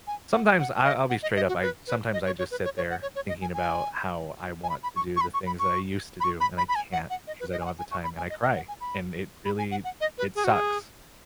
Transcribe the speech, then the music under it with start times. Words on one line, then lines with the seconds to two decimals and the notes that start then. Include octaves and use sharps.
sometimes I I'll be straight up, I sometimes I just sit there thinking about how I want to do the things that I used to do, and I can't 'cause I don't have the time, and I cry, and it really it sucks.
0.07 G#5
0.33 F#5
0.59 F#5
0.84 D#5
1.10 F#5
1.22 D#5
1.36 D#5
1.48 F#4
1.61 B4
1.87 B4
2.13 D#5
2.26 C#5
2.39 C#5
2.51 B4
2.64 C#5
2.77 C#5
2.90 F#5
3.02 C#5
3.15 C#5
3.28 D#5
3.42 G#5
3.54 G#5
4.64 G#5
4.70 B5
4.83 B5
4.96 C#6
5.17 C#6
5.21 B5
5.34 C#6
5.47 B5
5.59 C#6
6.20 B5
6.24 C#6
6.41 B5
6.58 B5
6.69 B5
6.75 G#5
6.93 F#5
7.10 F#5
7.27 D#5
7.40 B4
7.52 D#5
7.61 G#5
7.65 F#5
7.79 G#5
7.91 C#6
8.04 B5
8.17 G#5
8.30 D#5
8.42 D#5
8.56 F#5
8.68 G#5
8.80 B5
9.45 B5
9.58 G#5
9.71 F#5
9.84 F#5
10.01 D#5
10.18 B4
10.35 G#4
10.44 F#4
10.52 G#4